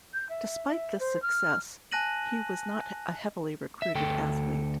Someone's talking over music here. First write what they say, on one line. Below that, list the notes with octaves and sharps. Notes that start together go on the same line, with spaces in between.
Despite this success, he was not a heavily recruited athlete.
G6
E5
E5
C5
F6
G#5 A5 F#6 A#6 D#7 F#7
E5
D2 A4 G5